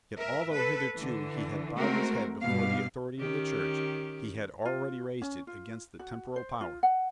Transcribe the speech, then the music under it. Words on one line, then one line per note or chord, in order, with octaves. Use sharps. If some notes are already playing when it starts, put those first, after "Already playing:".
Yet, although hitherto he had bowed his head before the authority of the Church, he had already raised it against the temporal power.
A#4 E5
A4 B4
D3 E3
G#3 A3 C4 F#4 A#4
G2 B2 F5
D#3 C#4 G4
F4
C#4
F4
F#4
C5
F4
F#5